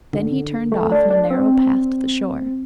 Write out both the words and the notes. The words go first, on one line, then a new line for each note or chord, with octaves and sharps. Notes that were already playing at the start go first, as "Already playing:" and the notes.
Then he turned off in a narrow path to the shore.
D3
A3
D4
D4
C4